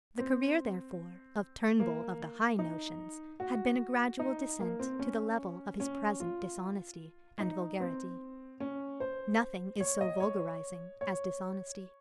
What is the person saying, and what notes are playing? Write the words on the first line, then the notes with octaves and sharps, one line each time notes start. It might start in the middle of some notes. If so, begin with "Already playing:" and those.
The career, therefore, of Turnbull of the high notions had been a gradual descent to the level of his present dishonesty and vulgarity; nothing is so vulgarizing as dishonesty.
C4
A#3
D#4
F#4
D#4
A#3
C4
C#4
C#4
F4
D#4
C4
C#4
C5
C#5
D#5
C#5
C#5